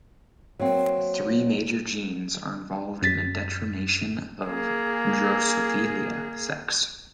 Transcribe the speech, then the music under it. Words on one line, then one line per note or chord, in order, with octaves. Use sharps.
Three major genes are involved in determination of "Drosophila" sex.
F#3 A#3 C4
F#2 A6 B6
A#3 G#4